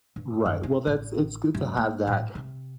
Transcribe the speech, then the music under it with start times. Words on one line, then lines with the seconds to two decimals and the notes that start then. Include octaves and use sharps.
Right, well, that's it's good to have that
0.16 G2
0.46 F#2
0.63 E4
0.87 A1
1.55 F#2
1.77 A#3
2.07 A2
2.35 C3